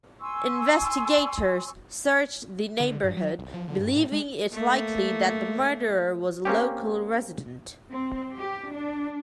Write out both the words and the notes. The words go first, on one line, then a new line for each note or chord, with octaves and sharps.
Investigators searched the neighborhood, believing it likely that the murderer was a local resident.
G#5 C6 C#6 E6
D3
G2
F#3
C2
F3
D3
G2
A2
G#3
A3 A#3
A#3 C4 C#4 G4
C4
G4
D4